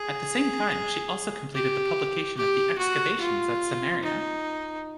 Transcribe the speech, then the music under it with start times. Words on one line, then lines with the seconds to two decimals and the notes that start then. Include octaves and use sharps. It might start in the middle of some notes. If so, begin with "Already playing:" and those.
At the same time she also completed the publication of the excavations at Samaria.
Already playing: G#4
1.54 G4
2.37 G4
2.78 F#4
3.20 F4
4.03 D#4